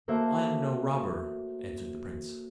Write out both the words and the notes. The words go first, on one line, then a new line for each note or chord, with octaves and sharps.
'I am no robber,' answered the prince.
A3 A#3 F#4 C5 E5